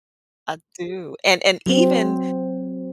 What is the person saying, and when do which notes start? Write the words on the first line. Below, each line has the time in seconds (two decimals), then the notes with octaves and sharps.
I do. And and even
1.66 F#3 C4